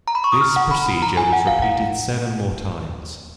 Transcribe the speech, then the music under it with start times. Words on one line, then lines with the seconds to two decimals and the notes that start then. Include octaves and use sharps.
This procedure was repeated seven more times.
0.08 A#5
0.15 B5
0.24 C#6
0.32 D#6
0.41 F6
0.56 F#5
0.71 B5
0.86 B5
1.03 A#5
1.17 G#5
1.33 F#5
1.47 F5
1.62 F#5